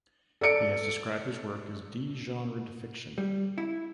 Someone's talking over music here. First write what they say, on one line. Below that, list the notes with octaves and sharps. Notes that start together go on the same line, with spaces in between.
He has described his work as "de-genred" fiction.
A4 D5 C#7 D7
G3
E4